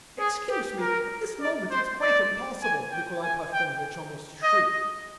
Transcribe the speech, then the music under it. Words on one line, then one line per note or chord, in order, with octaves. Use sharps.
"Excuse me, at this moment it's quite impossible," Nikolay Parfenovitch almost shrieked.
G#4
G4
A#4
D5
C5
D5
G#5
G5
G#5
G5
D#5